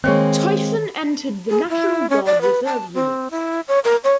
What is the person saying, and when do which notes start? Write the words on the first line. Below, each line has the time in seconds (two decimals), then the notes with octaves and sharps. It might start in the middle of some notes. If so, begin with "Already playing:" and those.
Tyson entered the National Guard reserve units.
0.04 D#3 G#3 A#3 C4 C#5 C#6
1.50 G#4
1.69 E4
2.10 C#4
2.26 D5
2.41 B4
2.65 A5
2.95 C4
3.31 E4
3.68 C#5
3.84 A#4
4.04 C#5